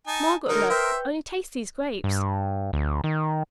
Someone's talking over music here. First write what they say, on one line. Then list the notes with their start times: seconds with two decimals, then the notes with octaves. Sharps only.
Margaret love, only taste these grapes!
0.07 D#4 G#5 A5
0.48 D3 F#3 D#4 A#4 D#6
0.70 B4 C5 E5 G5 G6
2.04 G2
2.73 D2
3.04 D#3